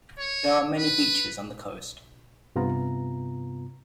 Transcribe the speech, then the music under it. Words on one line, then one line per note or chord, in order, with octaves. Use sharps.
There are many beaches on the coast.
C#5
B4
G2 C3 B3 F4 A#5